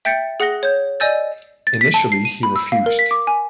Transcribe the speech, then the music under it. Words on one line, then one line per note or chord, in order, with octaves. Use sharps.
Initially he refused.
E5 G5 G6 A6 C#7
G#4 F#5 F#6 A#6 G7
C#5 G6
D5 D#5 G#5 E6 G6 A6
A6
B6
A5
C7
D#7
B5
E6
F5
A#4
B6
D6
G#5